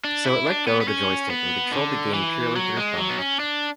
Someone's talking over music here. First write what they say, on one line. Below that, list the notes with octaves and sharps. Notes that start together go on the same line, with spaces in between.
So it let go of the joystick and controlled the game purely through thought.
D4
E4
D4
B3
B3
C#4
B3
D3
E3
F#3
G#3
F#3
B3
C#4
D4